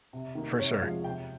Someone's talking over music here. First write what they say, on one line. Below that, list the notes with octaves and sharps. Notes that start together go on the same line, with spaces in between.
For sure.
C3
D#3 A#3
C3 C#5
F3 G#3 F5
C3 G5